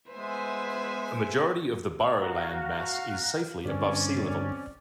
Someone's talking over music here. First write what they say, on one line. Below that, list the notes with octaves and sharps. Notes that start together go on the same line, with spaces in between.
A majority of the borough land mass is safely above sea level.
G#3 B3 B4 C5 E5 G#5
F#4 F5 F#5 A#5
G2 D3 C4 C#4 D5